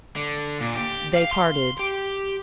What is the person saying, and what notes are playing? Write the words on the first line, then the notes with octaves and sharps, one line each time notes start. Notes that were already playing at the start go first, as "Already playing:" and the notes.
They parted.
D3
A#2
G4
F5
C6
G4